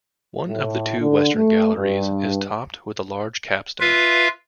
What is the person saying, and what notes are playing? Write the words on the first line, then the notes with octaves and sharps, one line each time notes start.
One of the two western galleries is topped with a large capstone.
A2
D3
A3
G2
F4 B4 E5 F5